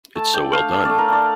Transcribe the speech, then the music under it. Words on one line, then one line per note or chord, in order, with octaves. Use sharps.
It's so well done.
A3 A5
D4 G5
A3 F5
D4
A3 D5
A#4
D4 D5